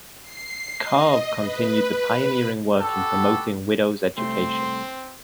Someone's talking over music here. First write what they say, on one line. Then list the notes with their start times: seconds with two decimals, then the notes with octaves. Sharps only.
Karve continued the pioneering work in promoting widows' education.
0.22 C7
0.77 D#5
1.38 B4
2.80 B3 F#4 G4 A4
4.18 C2 A3 C4 C6